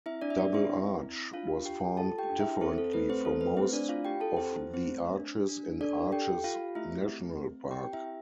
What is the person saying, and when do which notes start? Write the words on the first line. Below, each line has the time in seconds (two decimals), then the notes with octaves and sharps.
Double Arch was formed differently from most of the arches in Arches National Park.
0.06 C4 E4 E5
0.21 D4 D5
0.30 E5
0.38 C4 D4 D5
0.54 E4 E5
0.70 C4
1.02 E4
1.33 D4 F4 F5
1.65 F4 G4 G5
1.97 F4 A4 A5
2.18 G4 G5
2.29 D4
2.40 E4 E5
2.61 C4 A4 C5
2.78 A4
2.93 A3 B4
3.09 C4 C5
3.25 E4 A4
3.41 B4
3.57 A3 C4 C5
3.73 D4 D5
3.89 E4 F4 F5
4.05 G4 G5
4.20 G4 A4 A5
4.37 C4 C5
4.53 E4
4.74 C4 C5
4.84 A3
5.17 D4
5.49 D4
5.81 D4 A4 D5
6.12 G4 A4 G5
6.44 F4 G4 F5
6.75 A3 E4 E5
7.08 C4
7.40 C4
7.71 G4 G5
7.93 E4 E5
8.04 G4